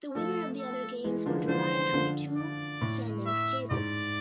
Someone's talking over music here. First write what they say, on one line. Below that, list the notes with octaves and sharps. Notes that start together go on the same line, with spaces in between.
The winner of the other games were derived from the two standings table.
F3 A3 A4
A4
E3 G#3
D3 F3
E3
D3 F3 C5
D3 F3
D5
A2
E5
G#2 D5